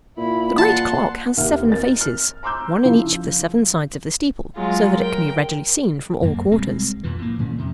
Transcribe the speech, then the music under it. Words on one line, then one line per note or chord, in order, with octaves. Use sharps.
The great clock has seven faces--one in each of the seven sides of the steeple--so that it can be readily seen from all quarters.
A#2 E4 B5
F#5 A5 C6
D#2 A#4 E5 F#5 F6
A#4 D#5 A6
F6
A#5 C6 D6 E6 G6
C#3 F3 E4
F#3 G#3 F4
A#4 G5
F#2 A#3
B1 G3 G#3 C4
B1 F2 A#2 E3
A2 A#3
A#2 F3 A3 C#4
F2 C3 D#3